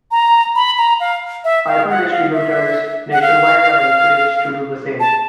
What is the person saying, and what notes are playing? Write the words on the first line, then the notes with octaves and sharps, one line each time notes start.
Piper distributors nationwide were encouraged to do the same.
A#5
B5
A#5
F5
E5
F5
F#5
F5
E5
F#5
F5
A5